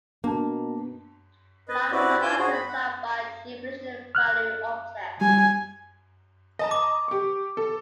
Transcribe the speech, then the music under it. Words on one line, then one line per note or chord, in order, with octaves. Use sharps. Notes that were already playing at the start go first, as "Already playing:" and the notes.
Flyweight objects are by definition value objects.
B2 A#3 D4 A5
B4 D#5
C4 E4 F#4 G4 B4 D5
E4 F4 G#5 D6 E6 G6
F#4 G#4 C5
B5
F#5
F6 F#6
G3 G#5
D#5 A5 A#5
D6
G4 C#6
A4